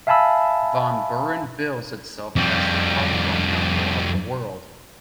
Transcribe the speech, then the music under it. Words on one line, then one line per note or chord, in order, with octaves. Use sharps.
Van Buren bills itself as the Popcorn Capitol of the World.
E5 F5 G#5 A5 B5 E6
F2 G3